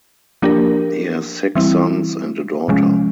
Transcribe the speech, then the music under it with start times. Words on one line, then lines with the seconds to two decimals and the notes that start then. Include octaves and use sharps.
He has six sons and a daughter.
0.42 F3 A#3 D4 G4 A#4
1.55 E3 G3 C4 E4
2.68 C3 F3 G#3 C#4